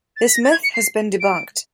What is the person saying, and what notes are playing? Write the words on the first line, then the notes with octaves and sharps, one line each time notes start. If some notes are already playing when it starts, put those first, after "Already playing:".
This myth has been debunked.
A6
B6
A#6
A6
G#6
C#7
C7
D7